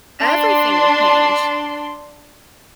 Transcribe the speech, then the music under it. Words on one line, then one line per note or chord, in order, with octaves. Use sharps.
Everything would change.
D4 C6